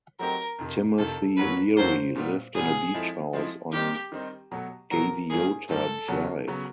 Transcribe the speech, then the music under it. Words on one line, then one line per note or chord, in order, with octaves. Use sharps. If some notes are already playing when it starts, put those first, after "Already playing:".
Timothy Leary lived in a beach house on Gaviota Drive.
F#3 A3 C4 D#4 G4 A#4
F2 C3 D#3
F2 C3 D#3 A4
F2 D3 F#3 A#3 C#4 B4
F2 D3 F#3 A#3 C#4 C5
A#2 G3 B3
A#2 G3 B3 G#4
F3 G#3 C4 E4 A4
F3 G#3 C4 E4 A4
D#3 G3 C4 D#4 G4
D#3 G3 C4 D#4
B2 F#3 A3
B2 F#3 A3 A#4
G2 D3 G3 A#3 G#4
G2 D3 G3 A#3 A4
E2 C#3 F#3 B3
C#3 F#3 B3